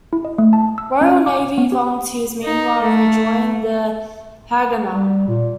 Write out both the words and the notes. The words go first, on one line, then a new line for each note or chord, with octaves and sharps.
Royal Navy volunteers, meanwhile, rejoined the Haganah.
E4
D#5
A3
A5
E6
C#4
D6
B3
G4
D#4
A3
G3
A#2